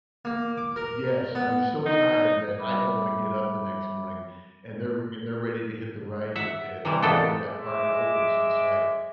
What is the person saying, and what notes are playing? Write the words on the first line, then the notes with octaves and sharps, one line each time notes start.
yes. I mean, so tired that I don't wanna get up the next morning, and they're and they're ready to hit the rides at at the minute that park opens. It's like
A#3
D6
A#4
B3
D#4
G3 E5 B5 D6
E5 F#5
C3 E3 G3 E4
A#2 G#3 B3 A4 G5
G#3 E5 D6